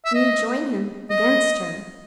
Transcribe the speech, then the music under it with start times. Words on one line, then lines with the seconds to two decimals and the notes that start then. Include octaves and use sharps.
And you join him against her.
0.05 E5
0.15 D#5
1.10 D#5